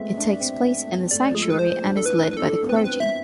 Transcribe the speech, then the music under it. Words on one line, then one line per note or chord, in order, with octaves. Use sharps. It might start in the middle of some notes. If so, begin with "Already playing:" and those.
It takes place in the sanctuary and is led by the clergy.
Already playing: G#3 A3 B3 C4 E5
D4
D4
C4
B3
A3 D5
F3
G#3 G#4
A4
B4
A3 C5
D4
A4
E4 B4
B4
D4 A4
B3
C4 B4
A4
B4
E5